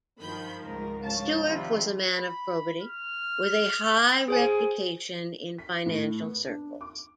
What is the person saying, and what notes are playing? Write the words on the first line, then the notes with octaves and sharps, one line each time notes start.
Stuart was a man of probity, with a high reputation in financial circles.
G2 D#3 F3 B5 G6
C#2 G#2 A#4 A#5
F3 D4 C#5 F5 A5
C3 D#3 G3 F4 B5
B5
F6
G#4 C5 G#5
B6
A2
B3
D4
D6